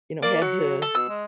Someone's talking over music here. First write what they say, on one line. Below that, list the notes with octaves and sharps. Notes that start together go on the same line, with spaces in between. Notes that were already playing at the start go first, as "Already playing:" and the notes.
you know, had to
A#3 D5
F#3 F#4
A4
B2 E6
G#3